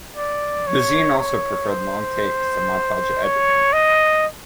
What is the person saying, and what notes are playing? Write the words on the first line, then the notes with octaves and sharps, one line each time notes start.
Bazin also preferred long takes to montage editing.
D5
C#5
C#5
C5
C#5
D#5